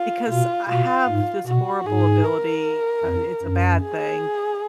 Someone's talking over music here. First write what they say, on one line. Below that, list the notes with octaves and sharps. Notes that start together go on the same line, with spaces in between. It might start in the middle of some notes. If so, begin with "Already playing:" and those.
because I have this horrible ability uh, i it's a bad thing-
Already playing: F4
B2 F4
B2 F4
G#2
B2 F#4
G#2 G#4
A#4
F2
F#2
G#4